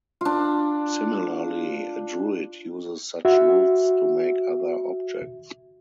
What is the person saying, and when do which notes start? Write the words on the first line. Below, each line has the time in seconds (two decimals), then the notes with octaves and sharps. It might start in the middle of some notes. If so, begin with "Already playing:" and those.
Similarly, a druid uses such woods to make other objects.
0.21 D4 F4
3.25 F#4 E5